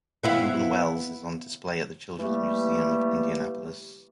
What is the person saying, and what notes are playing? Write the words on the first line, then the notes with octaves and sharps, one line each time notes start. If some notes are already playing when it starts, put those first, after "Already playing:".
The "Reuben Wells" is on display at the Children's Museum of Indianapolis.
B3 E4 F5
E3 G3 A3 A#3 G4